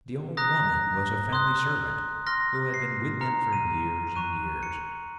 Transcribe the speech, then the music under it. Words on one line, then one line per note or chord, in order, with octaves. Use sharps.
The old woman was a family servant, who had been with them for years and years.
A#5 D#6 F#6 A#6
C6 D#6 F#6
C6 F6 A#6
C7
A#5 F6 C#7
D#7
A#5 C#6 F#6 D#7
C#7